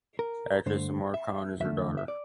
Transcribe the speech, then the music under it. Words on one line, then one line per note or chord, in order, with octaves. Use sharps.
Actress Amar Khan is her daughter.
A#4
G2 D3 A3 C5
E5
E2 D3 A3 E5
E5
D5